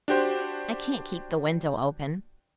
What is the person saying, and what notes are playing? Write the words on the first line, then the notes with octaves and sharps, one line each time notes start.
"I can't keep the window open."
D4 F#4 G4 C5